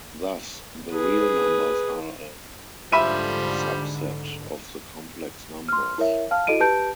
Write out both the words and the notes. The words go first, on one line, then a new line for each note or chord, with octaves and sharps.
Thus the real numbers are a subset of the complex numbers.
G#4 B4
G#2 D3 F3 G3 E5 B5 D#7
C6 F6
E4 A#4 C#5 E5
F5 A5 F6
E4 F#4 A4 D#5 D7 D#7
G4 B4 A5 G6 D7